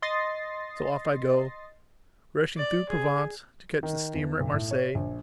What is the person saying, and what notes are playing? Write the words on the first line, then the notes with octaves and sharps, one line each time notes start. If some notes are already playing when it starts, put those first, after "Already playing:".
So off I go, rushing through Provence, to catch the steamer at Marseilles.
D#5 C6 D#6 A6 A#6 C7
D5
G#4
D#3
E2
B1
A2
C#5
A#1